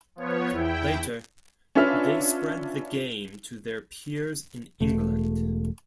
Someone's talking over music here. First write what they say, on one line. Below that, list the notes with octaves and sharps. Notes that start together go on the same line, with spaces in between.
Later they spread the game to their peers in England.
F3 B3 C#5
E2 E4 G5
C#4 D4 F4 B4 E5 F6
E1 A3